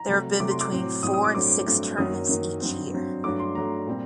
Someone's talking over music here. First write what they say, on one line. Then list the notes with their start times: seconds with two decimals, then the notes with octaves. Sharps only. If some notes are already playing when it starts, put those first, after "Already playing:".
There have been between four and six tournaments each year.
Already playing: A#5
0.08 C3 F#3 A3
0.40 C3 F#3 A3 D6
0.50 C6
0.61 D6
0.72 A2 F#3 C4
1.03 A2 F#3 C4 D#6
1.14 D#6
1.24 D6
1.35 G2 F#3 A3 C4 D6
1.66 G2 F#3 A3 C4
1.97 F#2 D#3 F#3 A#3 D#6
2.29 F#2 D#3 F#3 A#3
2.61 G2 F#3 C4
2.92 G2 F#3 C4
3.24 G2 F#3 A3 D6
3.39 C6
3.55 G2 F#3 A3 A#5
3.87 A#2 G3 C4